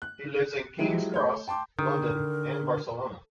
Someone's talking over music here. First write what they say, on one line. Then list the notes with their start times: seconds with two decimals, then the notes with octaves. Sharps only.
He lives in King's Cross, London and Barcelona.
0.02 F#6
0.78 F3 F#3 G#3 E4 G4
1.12 A3 C#5 G6
1.48 G5 A5 C6 D6
1.79 D3 D#3 A#4